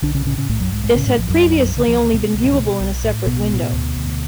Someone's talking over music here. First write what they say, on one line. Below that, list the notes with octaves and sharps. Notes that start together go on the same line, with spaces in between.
This had previously only been viewable in a separate window.
B1 D3 D4
C#3 C#4
A2 C#3 C#4
C#3 C#4
B1 A2 A3
F#2 F#3
B1 G#2 G#3
G#2 G#3
A2 C#3 C#4
G#2 G#3
B1 F3
F#2 F#3
B1
B1
D3
C#2 F3
D3
B2
C#2
B2
B1
A2
B1 B2 B3
A2
D2
D2